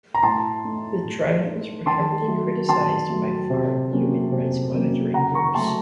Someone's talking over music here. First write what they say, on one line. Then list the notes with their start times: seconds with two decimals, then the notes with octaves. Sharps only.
The trials were heavily criticised by foreign human rights monitoring groups.
0.14 A#5
0.23 A2 A5 C6
0.64 A3 D#4
1.04 A2
1.46 A3 D#4
1.86 D#3 A5 C6
2.28 F#3 A3
2.69 D#3 A5 C6
3.09 F#3 A3
3.50 C3
3.92 F#3 A#3 C#4
4.32 C3
4.74 F#3 A#3 C#4
5.14 C#3 F#5 A#5
5.34 A#5 C#6
5.55 F#3 A3 A5 C6